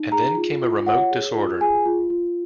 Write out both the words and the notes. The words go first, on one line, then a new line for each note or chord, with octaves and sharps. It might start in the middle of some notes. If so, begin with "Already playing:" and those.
And then came a remote disorder.
Already playing: D#4
G#4 A#5
F4
F4
C#5 F#5
G#4
F4
G#4 G#5
F4
F4